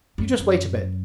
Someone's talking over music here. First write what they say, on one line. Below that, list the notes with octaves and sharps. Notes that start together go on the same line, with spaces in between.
You just wait a bit.
F#2
F#2